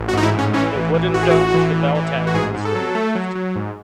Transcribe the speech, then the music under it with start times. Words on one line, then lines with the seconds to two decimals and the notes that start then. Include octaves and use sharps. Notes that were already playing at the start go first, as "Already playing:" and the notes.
The wooden dome of the bell tower was removed.
Already playing: A1
0.09 F#4
0.13 G#2 D#4
0.23 E4
0.34 A1 C#4
0.53 E3 C#4
0.74 A1
0.94 E3
1.14 A1 F#4
1.23 G#4
1.31 A1 F#4
1.54 E3
1.74 A1
1.95 E3
2.14 A1
2.27 F#4
2.34 G#2 G#4
2.54 G#2
2.65 A4
2.75 F#3
2.95 A3
3.15 F#3
3.35 F#3
3.56 G#2